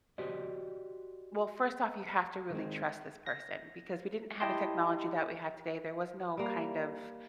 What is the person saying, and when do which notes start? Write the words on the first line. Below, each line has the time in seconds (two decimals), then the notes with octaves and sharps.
Well, first off, you have to really trust this person, because we didn't have the technology that we have today. There was no kind of,
0.18 F#4 G4 C5 D5 D#5
2.50 D#3 G#3 C4
3.26 A#6
4.40 E4 G4 D#5 G5 A5 C6
6.37 G3 A#3